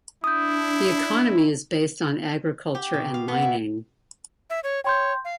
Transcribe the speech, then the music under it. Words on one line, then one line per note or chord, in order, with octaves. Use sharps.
The economy is based on agriculture and mining.
D4 E4 D#6 G6
G4
B2
F5
B3
E4
E5
C#5
C#5 G5 C6 G6
F5